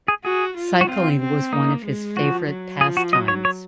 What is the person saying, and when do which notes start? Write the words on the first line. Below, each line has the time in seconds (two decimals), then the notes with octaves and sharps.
Cycling was one of his favourite pastimes.
0.08 G#4
0.24 F#4 G#4
0.57 F4
0.81 F#4
0.88 C4 F4
1.21 C4
1.53 A#3 D#4
1.85 G#3
2.16 F3 F#4
2.49 F#3
2.81 F3 G#4
2.97 F#4
3.12 F#3 D#5
3.28 C#5
3.45 C#5